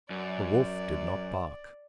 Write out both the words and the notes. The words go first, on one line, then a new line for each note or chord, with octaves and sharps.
The wolf did not bark.
F#2 D5